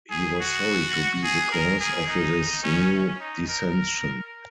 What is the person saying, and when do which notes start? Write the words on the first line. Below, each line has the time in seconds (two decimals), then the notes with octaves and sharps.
He was sorry to be the cause of this new dissension.
0.10 G#4
0.40 F#4
1.23 G#4
1.52 A#4
1.80 G#4
2.07 D#4
2.63 C#4
2.92 C#4
3.20 D#4
3.48 A#4